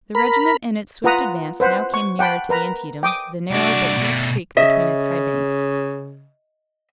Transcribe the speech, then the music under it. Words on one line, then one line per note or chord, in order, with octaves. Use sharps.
The regiment in its swift advance now came nearer to the Antietam, the narrow but deep creek between its high banks.
A#4 B5
F4 B4 F#5 A#5 D#6
B4 C5 F#5
C#6
F#5 G5 A5 B5
A#4 B4 A#5 B5
G5 D6 D#6
C2 D4 F#4 D5
B2 A3
C#3 D#5 E5